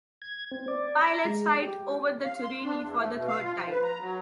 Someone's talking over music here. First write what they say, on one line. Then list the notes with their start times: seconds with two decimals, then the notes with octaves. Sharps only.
Pilots fight over the Turini for the third time.
0.22 G#6
0.51 C4
0.68 D5
0.97 A#5
1.25 G#3
1.62 G4
2.23 F5
2.43 C6
2.63 D4
2.82 E2
2.97 A3
3.15 B2
3.28 F5
3.43 F4
3.56 F3
3.70 B4
3.83 A#5
4.01 F#3